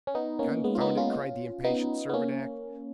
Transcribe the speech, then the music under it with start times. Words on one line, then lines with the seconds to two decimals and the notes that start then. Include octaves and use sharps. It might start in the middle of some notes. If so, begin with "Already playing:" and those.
"Confound it!" cried the impatient Servadac.
0.07 C#4
0.15 B3 D#4
0.39 A#3 C#4
0.64 G#3 B3
0.75 F4
0.81 B3 D#4
0.97 C#4 F4
1.64 B3 D#4
2.09 B3
2.13 A#3 C#4